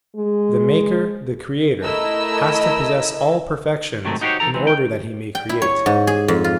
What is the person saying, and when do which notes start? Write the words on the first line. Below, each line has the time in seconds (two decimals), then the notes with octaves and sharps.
The maker, the creator, has to possess all perfections in order that he may create.
0.16 G#3
1.82 A3 E4 A#4 D#5 E6
4.05 G#2 C3 D#3 F#3 A3
4.21 D#4 F#4 G4 A#4 C5 C#5
4.40 E3 D#4 A4 A#5
4.54 C#2 E3 C4
4.67 G5
5.35 G5
5.49 E4
5.62 C#5
5.86 G#2
6.07 G#4
6.28 F2
6.44 F4